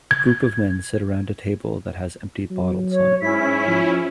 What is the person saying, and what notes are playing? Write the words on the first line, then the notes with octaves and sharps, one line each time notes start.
A group of men sit around a table that has empty bottles on it.
G#6
F#3
C#5
G#2 C#4 E4 B6
F3